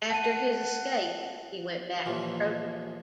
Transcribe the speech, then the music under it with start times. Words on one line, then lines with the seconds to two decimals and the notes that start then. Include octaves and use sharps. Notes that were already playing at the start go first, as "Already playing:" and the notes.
After his escape he went back to Croton.
0.10 F#5 A5 D#7
2.05 D#2 A#2 E3 F3